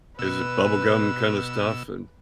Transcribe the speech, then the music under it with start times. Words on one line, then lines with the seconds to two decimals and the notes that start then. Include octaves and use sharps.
Is it bubblegum kind of stuff? And
0.19 B2 B4 E6